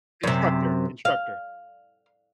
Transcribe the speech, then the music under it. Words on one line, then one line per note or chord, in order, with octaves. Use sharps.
Instructor, instructor.
F#2 C3
F5